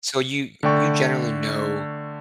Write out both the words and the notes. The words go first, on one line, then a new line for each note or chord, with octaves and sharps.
So, you y you generally know
D3 A3 D5 G5 C#6